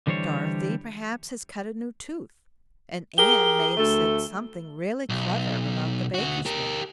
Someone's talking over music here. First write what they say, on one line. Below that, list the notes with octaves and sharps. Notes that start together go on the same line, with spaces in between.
Dorothy perhaps has cut a new tooth and Anne may have said something really clever about the baker's man.
D3 E3 G3 C5 C#5
G4 G#4 A#4 G7
D2 A3
B1
D2 F#4
G4 A#4